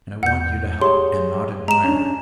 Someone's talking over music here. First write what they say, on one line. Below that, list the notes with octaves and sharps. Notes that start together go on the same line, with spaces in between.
And I want you to help, and not admire.
E2 F#5 G6
G4 G#4 C#5 C6
G#3 A#5 E7
C#4 D4